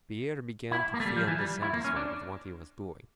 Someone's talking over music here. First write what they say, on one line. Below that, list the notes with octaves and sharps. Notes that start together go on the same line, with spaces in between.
Pierre began to feel dissatisfied with what he was doing.
E4
A#3
A3
G3
F3
E3
G3
E4
A#3
C#4
D4